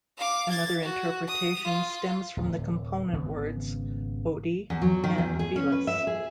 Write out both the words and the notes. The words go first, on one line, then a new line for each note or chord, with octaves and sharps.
Another interpretation stems from the component words: "odi" and "velas".
F5 D6
G#6 A6
F#4
D#6
F4
D1 C3
G#1 C#3 B3
E2
F#3
D#3
E2
G#4
C#4
B4
E5
G#4